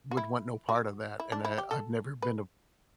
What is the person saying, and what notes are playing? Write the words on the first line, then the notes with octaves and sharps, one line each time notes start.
would want no part of that, and I I've never been a
F#4
E4
F#4
E4
D4
E4
G4
A4
B4